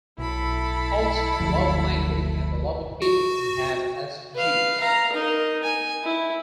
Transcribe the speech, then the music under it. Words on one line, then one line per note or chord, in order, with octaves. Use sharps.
Also, the love of language and the love of people we have as Jews.
B1 E4 A4 B5
F#1 D2 F3
F#4
B4 F5
F5 A#5
D#4 A#4
G#5
E4